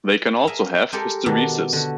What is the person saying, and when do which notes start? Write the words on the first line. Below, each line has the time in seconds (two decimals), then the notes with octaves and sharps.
They can also have hysteresis.
0.47 G#4 A#4 E5
0.92 G#3 G4 A4 A#4
1.26 B2 D#3 D4
1.73 D3 F#4